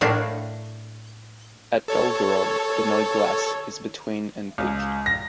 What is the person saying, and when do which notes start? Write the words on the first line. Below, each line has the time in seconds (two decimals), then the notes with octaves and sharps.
At Dolgarrog the Nod Glas is between and thick.
0.01 A2 A3 A#3 D4
1.88 A4 C#5
4.58 C#2
5.06 A#6